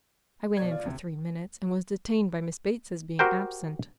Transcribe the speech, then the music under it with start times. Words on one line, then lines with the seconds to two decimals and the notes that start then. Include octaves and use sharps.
I went in for three minutes, and was detained by Miss Bates's being absent.
0.57 B2 C#5 D5 G#6
0.71 F4
0.83 D2 C3
3.19 F#4 G4 A#4 C5 G5